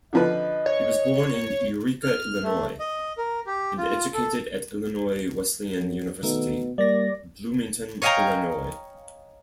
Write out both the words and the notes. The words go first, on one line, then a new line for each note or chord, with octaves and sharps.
He was born in Eureka, Illinois, and educated at Illinois Wesleyan University, Bloomington, Illinois.
D3 F3 B4 D#5
C#5
F6
A3
D#5
A#4
G4
F4
A4
F#2
B2 D#3 A3
G3 A#3 D5 A#6
C#5 D#5 F5 G5 G#5 A#5